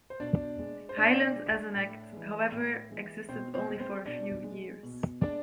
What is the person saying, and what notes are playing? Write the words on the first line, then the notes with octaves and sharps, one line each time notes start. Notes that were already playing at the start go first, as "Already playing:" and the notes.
Highland as an act; however, existed only for a few years.
C5
B2 D4 D5
G#3
C5
B2 D4 D5
G#3
A2
E3 G#3
A2
E3 G#3
B2 C4 C5
C4 C5
G#3
C4 C5
B2 D4 D5
G#3
B2
G#3 D4 D5